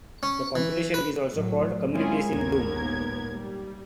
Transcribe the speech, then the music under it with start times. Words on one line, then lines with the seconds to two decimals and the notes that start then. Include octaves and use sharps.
The competition is also called "Communities in Bloom".
0.23 C#4
0.56 E3
0.94 B4
1.33 A2 F#3
1.92 G#3 C4 C#4 E4 F4 G#4
2.28 G#1 D#2 A#2 B3 A#4 G#6
3.32 G3